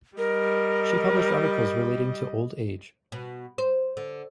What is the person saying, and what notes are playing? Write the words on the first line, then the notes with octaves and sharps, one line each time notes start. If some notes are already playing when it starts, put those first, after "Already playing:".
She published articles relating to old age.
G3 A#4 D#5
B2
C5
D3